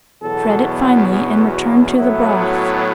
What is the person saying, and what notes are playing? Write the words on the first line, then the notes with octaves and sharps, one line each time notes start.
Shred it finely and return to the broth.
E2 B2 F#3 B3 A4
F#4
A2 F#3 B3 E4
F#4